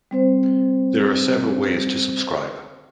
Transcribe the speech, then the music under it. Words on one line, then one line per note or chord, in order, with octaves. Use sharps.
There are several ways to subscribe.
G3 C4 C5